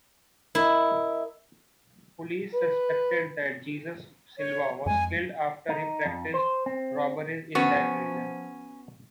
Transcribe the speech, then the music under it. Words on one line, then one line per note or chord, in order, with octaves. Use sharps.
Police suspected that Jesus Silva was killed after he practiced robberies in that region.
E4 A#4 D#5
B4
C#5
F2 G#3 G#5
D#4
F2
C5
C4
F3 B3 C#4 F#4